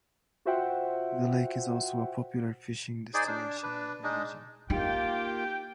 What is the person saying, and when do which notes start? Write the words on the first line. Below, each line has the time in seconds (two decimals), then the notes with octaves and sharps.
The lake is also a popular fishing destination in the region.
0.45 F4 F#4 C5 E5 F#5 G5
3.14 D#4 G#4 C5 D5
3.28 D4
3.63 D4 B4
4.03 G#3 D4 D#4
4.70 A#3 D#4 F4 G4 G5